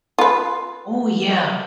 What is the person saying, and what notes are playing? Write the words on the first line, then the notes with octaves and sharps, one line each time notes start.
Oh, yeah.
F4 B4